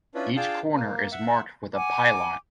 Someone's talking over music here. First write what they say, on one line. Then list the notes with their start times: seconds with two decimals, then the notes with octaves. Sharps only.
Each corner is marked with a pylon.
0.15 C#4 D4 E4 F4 B4
0.36 D4 F4 G#4 F5 G5 A5
0.74 A#3
1.12 E5 F#5
1.75 F#5 G#5 D6